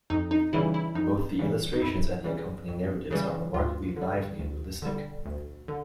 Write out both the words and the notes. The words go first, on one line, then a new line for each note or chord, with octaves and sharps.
Both the illustrations and the accompanying narratives are remarkably lively and realistic.
F2 D#4
D#4
C#3 E3 G3 E4
E4
F2 D#4
C#3 E3 G3
D#4
F2 E4
C#3 E3 G3
F2
C#3 E3 G3
D2 F4
D3
G3
D2
D3 G3
D2
D3